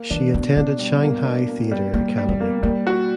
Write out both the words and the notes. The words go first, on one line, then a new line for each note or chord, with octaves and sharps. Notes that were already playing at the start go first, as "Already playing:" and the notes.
She attended Shanghai Theatre Academy.
Already playing: A#3
E3 D4
B2 B3
B3 D4
G3
A#3
D4
A#3
G3
G3 A#3
G3
B3
A#3
G3 A#3
F#4